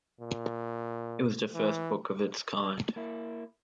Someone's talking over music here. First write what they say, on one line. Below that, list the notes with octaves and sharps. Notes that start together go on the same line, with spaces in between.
It was the first book of its kind.
A#2
E3
A#3 E4